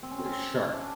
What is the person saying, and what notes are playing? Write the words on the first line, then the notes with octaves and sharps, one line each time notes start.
very sharp.
C4
C#4
C4
C#4
C4
C#4
D4